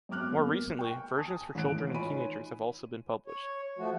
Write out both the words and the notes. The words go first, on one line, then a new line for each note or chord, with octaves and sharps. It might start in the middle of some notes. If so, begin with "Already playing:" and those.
More recently, versions for children and teenagers have also been published.
F#2 B3 C4 D6 F6 F#6
A#3 B3
G5 C#6
G#5 A5 D#6
A1 D#2 F#6 D7
D#4 F4 C#5 G#5 B5 D#7
C#5
F3 A3 F#4